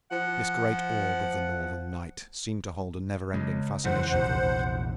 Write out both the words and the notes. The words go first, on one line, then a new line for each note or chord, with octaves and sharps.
This great orb of the Northern night seemed to hold a never-ending fascination for Rod.
F3 F#5
C#3 G#3
F2 C#3 E3 C5 F#5
A#1 E2 C3